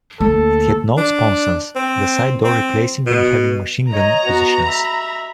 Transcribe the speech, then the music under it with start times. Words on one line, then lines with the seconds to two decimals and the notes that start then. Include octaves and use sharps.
It had no sponsons; the side doors replacing them having machine gun positions.
0.20 D2 A#3 A4
0.97 D4
1.76 C4
2.44 C4
3.06 B2
3.93 C#5 D#5 A#5
4.26 B3 F#4
4.68 E5 B5